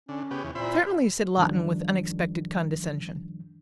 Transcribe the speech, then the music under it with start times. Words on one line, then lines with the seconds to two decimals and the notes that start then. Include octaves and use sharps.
"Certainly," said Lawton, with unexpected condescension.
0.09 D3 C#4
0.31 C#3 B3 G4
0.44 E2 C#3
0.55 A#2 C4 E4 B5
1.37 F#2 D#3 F3 G3 D4